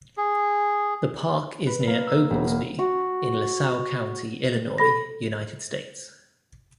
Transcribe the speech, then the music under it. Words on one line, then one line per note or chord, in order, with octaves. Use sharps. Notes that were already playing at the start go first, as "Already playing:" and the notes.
The park is near Oglesby, in LaSalle County, Illinois, United States.
G#4
B4
A#3
E6
E1
A#3
F#4
A4 B5 A#6